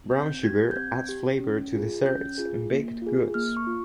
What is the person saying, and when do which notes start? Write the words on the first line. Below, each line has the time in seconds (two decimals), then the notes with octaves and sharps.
Brown sugar adds flavor to desserts and baked goods.
0.11 C4 G6
0.43 G4 G#6
0.71 G6
0.76 C4 G#6
1.09 G4
1.40 C#4
1.72 F4 G#4
2.05 C#4 G6
2.38 F4 G#4
2.71 A#3
3.02 F4 G#4
3.34 A#3 F6
3.57 C#6
3.67 F4